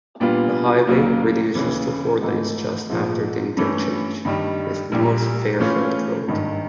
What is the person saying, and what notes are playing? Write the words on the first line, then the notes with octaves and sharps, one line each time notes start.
The highway reduces to four lanes just after the interchange with North Fairfield Road.
A#2 G3 B3 D4 F4
D#2 C#3 F#3 A#3
D#2 C#3 E3
A1 G#2 E3 A3
A#1 G#2 F3 G#3
G2 E3 A3 C#4
G2 D#3 G3
A#1 A#2 G3
A2 E3 A3 C#4 F4
G#1 G2 D#3